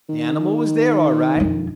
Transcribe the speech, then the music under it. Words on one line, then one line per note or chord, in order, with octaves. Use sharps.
The animal was there all right.
D#3
E1 F2